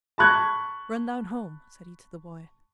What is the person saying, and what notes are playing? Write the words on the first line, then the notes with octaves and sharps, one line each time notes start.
"Run down home," said he to the boy.
A5 B5 C#6 F#6 G#6